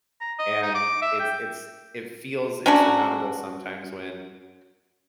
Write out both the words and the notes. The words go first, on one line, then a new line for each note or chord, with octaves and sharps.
and it's it's it feels insurmountable sometimes when,
A#5
D#5
D#4
D6
E5
G5
F#3 C#4 D4 F#4